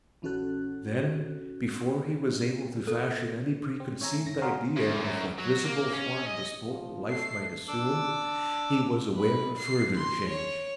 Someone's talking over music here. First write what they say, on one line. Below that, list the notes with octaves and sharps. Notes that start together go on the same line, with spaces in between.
Then, before he was able to fashion any preconceived idea of what visible form this potent life might assume, he was aware of further change.
A#1 E3 C#4 F#4 A4 F#6
A4
C4
C#5 E5 G#5 A#5
A3
G1 A#6
D4 F#4 G#4 A#4 F5 C6
E2
F#2
F#3
A#3
C#4
D#5
F3
A3 A4 C7
D4 D6 E6
B4
C7
C6
C#5